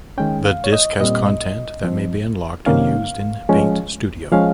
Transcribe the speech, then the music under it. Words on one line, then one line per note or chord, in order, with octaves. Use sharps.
The disk has content that may be unlocked and used in "Paint Studio".
D#3 G#3 C#4 G5
F5
C#5
D#5
A#2 G3 C4 D#5
F3 C4
C3 D#3 A#3 C#4 F5
F3 G#3 C#4
F3 G#3 C#4 F5